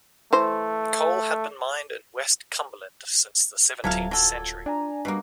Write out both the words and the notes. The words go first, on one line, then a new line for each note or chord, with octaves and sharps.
Coal had been mined in West Cumberland since the seventeenth century.
E3 A3 C5
D1 C3 F#3 F4 A4 F5 G#6
F#3 F4 A4
D4 D5 G#5 A#5
B2 G3 A#3 F#4